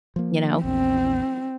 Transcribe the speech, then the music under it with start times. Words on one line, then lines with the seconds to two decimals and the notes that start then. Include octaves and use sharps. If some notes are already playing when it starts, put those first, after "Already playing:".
you know,
0.16 F3 A#3
0.64 A#1 E2 C4